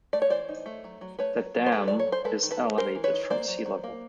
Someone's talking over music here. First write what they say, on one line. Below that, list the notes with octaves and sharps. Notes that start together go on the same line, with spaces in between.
The dam is elevated from sea level.
A3 D5
C#5
E3 C5 D5
D#4
A3
F#3
F#3
A3 B4 C#5
F#3
F#3
C5
A3 A4 B4
F#3 D5
C#5
F#3
C5
G#3 A4 B4
D#3
A4 B4
D#4
G#3 A#4 C5
E3
B4 C#5
D#4
A#3 C5 D5
F#3
F#3
A#3